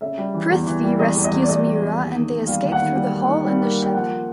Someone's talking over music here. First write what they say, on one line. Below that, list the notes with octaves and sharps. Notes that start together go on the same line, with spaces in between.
Prithvi rescues Meera and they escape through the hole in the ship.
C#3 E5
G3
E3
E2
E3
G3
E2 D#5
E2
D#5
E2
D5
E2 D#5
G3
E2
D#2
D#3
D#2
G3 F5
D#2
F#5
D#3
G3
D#2
D#3
G3
A#3
A#3 G5
F3 F#5
F3